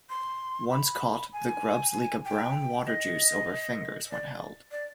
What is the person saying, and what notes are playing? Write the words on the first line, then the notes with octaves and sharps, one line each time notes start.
Once caught the grubs leak a brown water juice over fingers when held.
C6
B5
G#5
G5
D#5
D5
D5